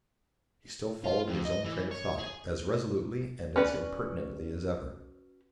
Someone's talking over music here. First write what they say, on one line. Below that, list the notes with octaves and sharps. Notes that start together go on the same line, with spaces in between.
He still followed his own train of thought, as resolutely and as impertinently as ever.
F4
F2
D#5
E3
C#5
G#4
C#4 F#4 B4 D5